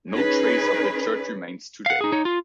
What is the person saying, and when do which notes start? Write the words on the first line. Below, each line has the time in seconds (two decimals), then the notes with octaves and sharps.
No trace of the church remains today.
0.10 C#4 D#4 G#4 B4
1.86 F5 F#5
2.01 D#4 G#4
2.12 D#4 C#5
2.25 F4